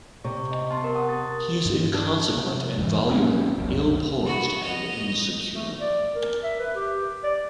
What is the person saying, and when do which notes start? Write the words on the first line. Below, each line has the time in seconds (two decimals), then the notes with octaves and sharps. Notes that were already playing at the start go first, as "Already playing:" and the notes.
He is inconsequent and voluble, ill poised and insecure.
0.25 C3 C#6
0.51 D#5
0.71 B3 A5 C6
0.83 G4 A#4
0.95 F#5 C#6 D#6
1.09 A6
1.66 G2
1.94 D4
2.37 C3
2.78 E2 G#2 E3
3.09 F#3 A#3 C4 C#4
3.58 F1 C2 F#2
4.25 B3 F#4
4.64 D#5 F7
5.54 A3
5.80 D5
6.15 A#4
6.44 E5
6.59 B4
6.75 G4
7.24 D5